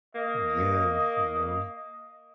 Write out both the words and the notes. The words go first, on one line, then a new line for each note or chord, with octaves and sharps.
Yeah, you know,
A#3 D#5